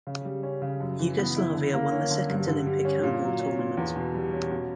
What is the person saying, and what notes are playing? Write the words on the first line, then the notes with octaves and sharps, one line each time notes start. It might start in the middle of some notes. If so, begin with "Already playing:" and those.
Yugoslavia won the second Olympic handball tournament.
C#3
G3
C#4
C#3
F#2
E3
B3
E4
D3
A#3
C#4
D3
G2
D3
G3
C#4
A#2
F#3
C#4
A#2
E2
B2
G3
C#4
B2